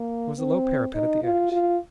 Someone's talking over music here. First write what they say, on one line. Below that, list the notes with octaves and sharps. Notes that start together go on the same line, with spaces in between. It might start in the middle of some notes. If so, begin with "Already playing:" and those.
There was a low parapet at the edge.
Already playing: A#3
C4
D#4
F4
F4